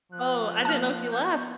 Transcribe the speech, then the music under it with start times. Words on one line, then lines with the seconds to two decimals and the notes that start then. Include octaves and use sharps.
Oh, I didn't know she left.
0.12 F3 F#6
0.65 A#3 A5 F6
1.12 B3 G6